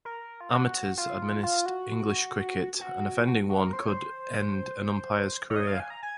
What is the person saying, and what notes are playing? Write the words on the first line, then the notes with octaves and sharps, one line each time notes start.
Amateurs administered English cricket, and offending one could end an umpire's career.
A#4
F4
F#4
F4
F4
F#4
F#4
F#4
F#4
A#4
C5
C#5
C5
C#5
D#5
F5
G#5
A#5
G#5